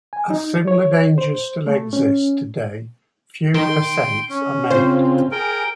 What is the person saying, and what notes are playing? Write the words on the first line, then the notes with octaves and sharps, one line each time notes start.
As similar dangers still exist today, few ascents are made.
G#5
D#4
C#5
C5
A3
C#4
D#3 G5 C6
C#4
C#3 C4 F4 C5
G#4 A#4 G5